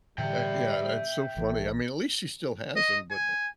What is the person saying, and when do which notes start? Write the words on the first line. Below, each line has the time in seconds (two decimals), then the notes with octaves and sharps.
Uh, yeah, that's so funny. I mean, at least she still has ‘em, but
0.18 A2 D3 E3 G3 E5 G5
1.36 A#1 E3 A3
2.76 D#5
3.11 G#5